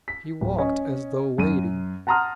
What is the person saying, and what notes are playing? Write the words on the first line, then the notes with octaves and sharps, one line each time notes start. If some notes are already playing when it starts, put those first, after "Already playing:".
He walked as though wading.
B6
D1
C#4 D#5
F#2 D#7
F#5 A5 A#5 C6 D#6 F6